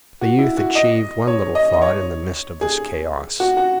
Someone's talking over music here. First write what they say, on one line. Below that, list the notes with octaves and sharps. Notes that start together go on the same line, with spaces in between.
The youth achieved one little thought in the midst of this chaos.
F#4
E4
F#4
D#5
C#5
D#5
D#5
C#5
G#4
F#4
F#4